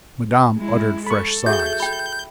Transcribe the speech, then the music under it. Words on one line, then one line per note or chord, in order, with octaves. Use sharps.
Madame uttered fresh sighs.
G#3 E4
A4 B5 C#6
F#4 G#4 E5 G6
G5 B5